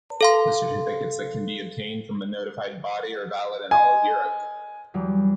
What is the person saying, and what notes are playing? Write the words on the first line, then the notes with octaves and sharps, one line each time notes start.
The certificates that can be obtained from a notified body are valid in all of Europe.
A4 F5 C6
D#5 G#5 C6
E2 F#3 G3